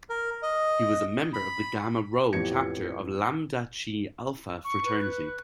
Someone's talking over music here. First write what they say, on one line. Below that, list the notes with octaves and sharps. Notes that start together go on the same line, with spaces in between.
He was a member of the Gamma Rho Chapter of Lambda Chi Alpha fraternity.
A#4
D#5
B5
A1 F2 B3 G4 G#6 C#7
C#6
B4
F#6